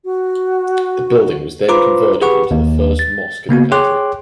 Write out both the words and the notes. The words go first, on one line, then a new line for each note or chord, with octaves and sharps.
The building was then converted into the first mosque in the country.
F#4
F4 B4 C5 A#5 C6 D6
G4 G#4 B4 F#5 C#6
D#2
A6
C#3 A#3 B3 F#4
G#4 C#5 G5 C6 D6 F#6